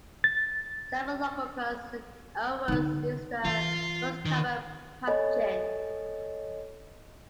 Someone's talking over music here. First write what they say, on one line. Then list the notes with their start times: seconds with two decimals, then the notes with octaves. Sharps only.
Staphylococcus aureus is the most common pathogen.
0.24 A6
2.68 D3 D#4
3.45 E3 F4
4.26 D#3
5.07 A4 C#5 D#5 G#5 A6